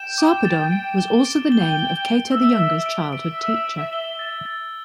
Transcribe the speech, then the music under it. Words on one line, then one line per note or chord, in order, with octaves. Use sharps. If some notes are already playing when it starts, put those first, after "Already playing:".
Sarpedon was also the name of Cato the Younger's childhood teacher.
Already playing: G5 E7
D6
A6
D7
G7
D7
G5 G7
G7
D7
E5 E6
E6
D7
E5 D7
E6
D7
G7
A6
A6